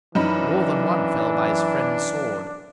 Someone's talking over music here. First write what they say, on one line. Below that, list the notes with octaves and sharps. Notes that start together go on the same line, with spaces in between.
More than one fell by his friend's sword.
F#2 E3 D4 D#4 B5